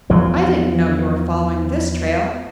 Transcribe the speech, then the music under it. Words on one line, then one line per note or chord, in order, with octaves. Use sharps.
I didn't know you were following this trail.
E2 E3 F3